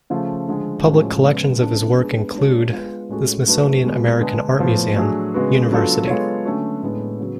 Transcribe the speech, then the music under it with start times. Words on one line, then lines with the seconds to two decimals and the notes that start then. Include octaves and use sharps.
Public collections of his work include: The Smithsonian American Art Museum, Univ.
0.10 C#3 F3 A3 F4
0.48 D3 F3 G#3
0.86 A2 F3 G#3 C#4 F#4
1.22 C#3 F3 G#3 B3
1.60 C#3 F3 G#3 B3 D4
1.97 G#3 B3 D4 G#4
2.35 G#3 D4 F#4 C#5
2.72 G#3 B3 F4 B4
3.09 A2 G#3 C#4 F#4 A4
3.47 F#3 A3 D4 F#4 B4
3.84 B2 G#3 B3
4.21 D3 G#3 D4 G#4 B4
4.58 A2 F3 B3
4.96 F#3 A3 D4 G#4
5.34 C#3 G#3 B3 F#4 B4
5.71 F#3 B3 D4 F4 A4
6.07 G#3 B3 F4 A4 C#5
6.45 D3 F#3 A3 C#4 F#4
6.82 A2 G#3 B3 D4
7.20 C#3 F#3 B3